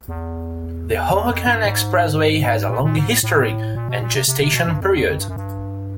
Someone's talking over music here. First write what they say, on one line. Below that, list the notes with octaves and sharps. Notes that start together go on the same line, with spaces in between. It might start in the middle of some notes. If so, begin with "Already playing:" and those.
The Hohokam Expressway has a long history and gestation period.
E2
E2
F2
G2
G#2
A#2
A#2
G#2
A2
A2
A#2
B2
A#2
C3
C3
C3
B2
G2
F2
E2
F2
G2
F#2
G2